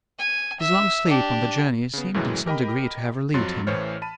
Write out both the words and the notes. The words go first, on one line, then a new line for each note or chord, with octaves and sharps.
His long sleep on the journey seemed, in some degree, to have relieved him.
G#5
E5
D4 G4
C#3 B3
F#2 A2 C#3 E3 F#3 G#3
G4 A#4 D#5 G5 B5
F2 F#3 C6 A6
A1 A2 E3 C5 C#5 F6
A5 B5 D#7